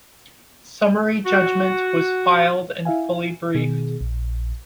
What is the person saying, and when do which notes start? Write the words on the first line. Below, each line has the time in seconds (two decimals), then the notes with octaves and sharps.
Summary judgment was filed and fully briefed.
1.26 F#4
2.85 E4 E5 F5 G#5
3.55 B2 D#3 G#4
4.01 A#1